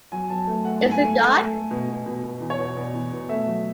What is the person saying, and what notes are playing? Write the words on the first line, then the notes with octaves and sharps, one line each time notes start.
Is it God?
F#3 G#5
F#3 A5
A3
A3 F#5
G#2
G#5
A3
A3
A3
A3
B2
B2
B2
B2
E2
C#5
B2
B2 D5
E2
B2
A3 E5
F#3